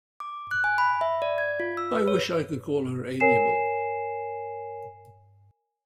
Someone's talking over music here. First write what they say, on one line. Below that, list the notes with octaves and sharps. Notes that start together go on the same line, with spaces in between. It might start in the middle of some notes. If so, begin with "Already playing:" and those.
I wish I could call her amiable.
D6
F#6
G#5
B5
E5
D5
G#6
F4
E6
B4
C#5
A#4 C#5 G#5 C7 E7